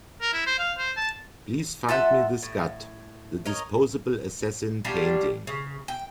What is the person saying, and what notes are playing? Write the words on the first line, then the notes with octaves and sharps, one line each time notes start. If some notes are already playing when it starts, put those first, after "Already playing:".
Please find me the Scud: The Disposable Assassin painting.
A#4
E4
C5
F5
C5
A5
F4 A4 E5 F#5
A2
A#4 C#5 D#5
F#3 G3 D4 F4
C#3
G5